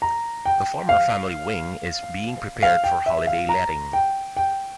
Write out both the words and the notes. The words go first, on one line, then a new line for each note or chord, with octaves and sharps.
The former family wing is being prepared for holiday letting.
A#5
G5
F5
F5
G5
E5
F5
A#5
G5
G5